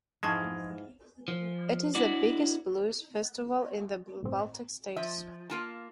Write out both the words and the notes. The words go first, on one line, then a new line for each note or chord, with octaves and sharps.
It is the biggest blues festival in the Baltic states.
F2 G#2 E3 G#3 F4 A5 C#6 G#6
F3
D4 E4 F#4 D5
G1 A2 C4
F3 E5
A#3 F4 A5